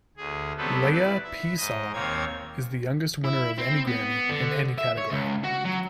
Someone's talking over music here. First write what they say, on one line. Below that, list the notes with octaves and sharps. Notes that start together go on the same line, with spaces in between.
Leah Peasall is the youngest winner of any Grammy in any category.
D2 G#4
F#3 G3 B3 C4 A4 B4
E4 B4 D5
E5
G#2 D#5
D#2 A#3 C4 C#5 G#6
E4
C4
B3
D3
E5
C#5
C#2
F#4
F#3